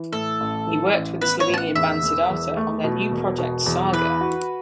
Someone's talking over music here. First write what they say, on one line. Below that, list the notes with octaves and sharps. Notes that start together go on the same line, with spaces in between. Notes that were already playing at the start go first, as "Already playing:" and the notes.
He worked with the Slovenian band Siddharta on their new project Saga.
Already playing: E3
A2 A4
A1
E3
A1
B3 B4
C#5
A1 A5
F#5
E2 E5
E1
E2
A3
B2
E1
B2
E2
E3 B4
F#4